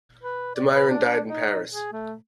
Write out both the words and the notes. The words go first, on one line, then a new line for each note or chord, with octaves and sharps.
Damiron died in Paris.
B4
D5
B4
D4
D#4
G#4
A3